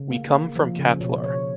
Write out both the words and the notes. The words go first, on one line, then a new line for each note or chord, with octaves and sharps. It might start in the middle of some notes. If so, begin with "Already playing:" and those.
We come from Catllar.
Already playing: C#3
A#3
A#3
F3
C#3
B2 C#5
B2 C#5